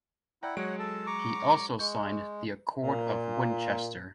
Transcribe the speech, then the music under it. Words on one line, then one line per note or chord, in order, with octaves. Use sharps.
He also signed the Accord of Winchester.
E4 D5 F#5 G5 A#5
F#3 G#3 C#5 F#5 D7
A4 A5
A#5 C#6 D6
G#3 C#6 G6
A#2